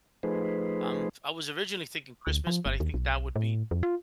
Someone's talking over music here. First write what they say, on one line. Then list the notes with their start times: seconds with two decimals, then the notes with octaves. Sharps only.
Um, I was originally thinking Christmas, but I think that would be
0.23 F3 A3 D#4 G#4 B4 C5
2.27 D2
2.47 F3
2.66 G1
2.80 D#2
2.94 B1
3.36 A2
3.71 F2
3.83 F4